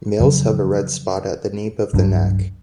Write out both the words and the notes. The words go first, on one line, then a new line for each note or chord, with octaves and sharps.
Males have a red spot at the nape of the neck.
F2 C#3 F#3
C2 G2 F#3 D4